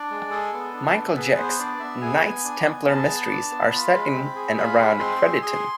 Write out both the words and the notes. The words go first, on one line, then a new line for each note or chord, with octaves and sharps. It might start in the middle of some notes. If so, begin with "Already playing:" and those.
Michael Jecks' "Knights Templar Mysteries" are set in and around Crediton.
Already playing: D4 D5
G#3
G#4 A4
B3
D4
B3
G#4 B4
B3 C5
D4 D5
B3 E5
G#4 G#5
B3
D4
B3
G#4 A5
B3
D4
B3
F4 B5
G#3
C4
G#4
F4 B5
G#3
C4 C6
G#4
G#4 C6